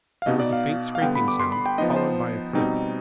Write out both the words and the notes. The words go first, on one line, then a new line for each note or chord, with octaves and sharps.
There was a faint scraping sound, followed by a click.
F5
B2 B3 D#4 D#5
D5
F5
F5
D3 G3 B3 G5
B5
D6
C6
B5
G5
F3 B3 D#4 D#5
C5
B2 G3 C4 D#4